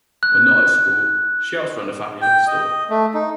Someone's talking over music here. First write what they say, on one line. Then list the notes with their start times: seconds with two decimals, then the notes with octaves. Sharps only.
When not at school, she helps run the family liquor store.
0.23 F#6
2.22 G5
2.47 D#5
2.90 A3
3.14 D#4